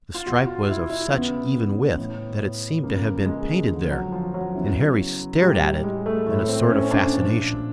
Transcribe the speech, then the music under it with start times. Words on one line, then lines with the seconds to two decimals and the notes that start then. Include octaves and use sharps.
The stripe was of such even width that it seemed to have been painted there, and Harry stared at it in a sort of fascination.
0.15 F4
0.25 E2 B2 F#4
0.47 F4
0.69 E4
0.90 E4
1.11 E2 C#3 E3 B3
1.97 A2 E3
2.83 E2 C#3 F3 A#3
3.26 G#3
3.69 F2 D3 F3
3.91 F#3
4.12 F3
4.34 F#3
4.55 E2 C#3 E3
5.41 A2 E3 G3
5.62 G3
5.84 G#3
6.06 A3
6.26 A2 E3 A3
6.48 C4
6.70 C#4
6.83 C#4
6.91 D4
7.12 A#2 F3